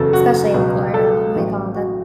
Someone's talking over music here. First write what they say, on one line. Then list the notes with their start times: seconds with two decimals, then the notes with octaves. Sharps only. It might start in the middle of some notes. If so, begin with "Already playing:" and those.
Especially in Florida, oh my God, that
Already playing: F#1 E2 C#3 F#3 A4
0.13 F#4
0.54 C#2 B2 F#3
0.94 A4
1.35 A1 A2 F#3
1.75 F#4